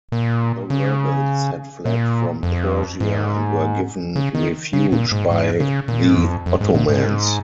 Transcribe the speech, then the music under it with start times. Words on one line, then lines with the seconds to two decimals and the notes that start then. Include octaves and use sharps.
The rebels had fled from Persia and were given refuge by the Ottomans.
0.12 A#2
0.70 C#3
1.85 A#2
2.43 F2
3.00 G#2
4.16 C#3
4.35 D#3
4.73 C#3
4.92 A#2
5.12 G#2
5.31 G#2
5.60 C#3
5.88 A#2
6.08 G#2
6.17 F2
6.46 F2
6.61 G#2
6.75 A#2
6.89 G#2